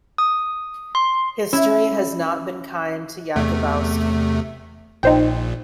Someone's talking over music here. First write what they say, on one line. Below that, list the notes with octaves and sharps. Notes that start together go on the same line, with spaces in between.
History has not been kind to Jakubowski.
D#6
C6
C#4 E4
E2 C3 A3
A#1 A#2 D#4 C5 G5